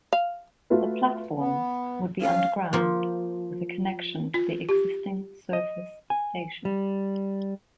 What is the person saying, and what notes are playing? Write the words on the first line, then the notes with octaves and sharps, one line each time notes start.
The platforms would be underground, with a connection to the existing surface station.
F5
A3 F4 F#4 B4 E5
B3
C#4 F5
F3 A#3
F4
G4
D#5
G#5
G3